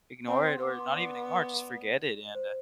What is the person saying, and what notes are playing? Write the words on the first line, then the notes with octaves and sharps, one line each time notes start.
ignore it or not even ignore it, just forget it and, uh,
C4
C6
B3 D6
C6
D5
C5